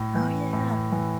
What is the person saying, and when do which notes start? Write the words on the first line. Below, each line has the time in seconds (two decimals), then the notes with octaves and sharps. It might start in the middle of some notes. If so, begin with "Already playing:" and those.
Oh yeah.
Already playing: A2
0.15 E3
0.53 A2
0.92 E3